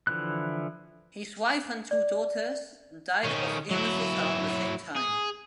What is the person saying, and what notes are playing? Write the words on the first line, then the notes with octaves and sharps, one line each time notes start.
His wife and two daughters died of illnesses around the same time.
D3 E3 F3 E4 F#6
D5
D#3 C#4
F#3 E4
G#4